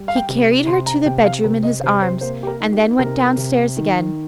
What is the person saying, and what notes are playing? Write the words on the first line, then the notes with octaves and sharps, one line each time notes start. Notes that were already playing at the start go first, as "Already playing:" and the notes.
He carried her to the bedroom in his arms and then went downstairs again.
Already playing: G3
F5
G5
C3
C3 C6
A#5
C3 G5
F5
C3 A#4
D#5
C3 C5
C5
A#3 C5
G4
A#4
D#4
G4
C3 A#4
C3
D#3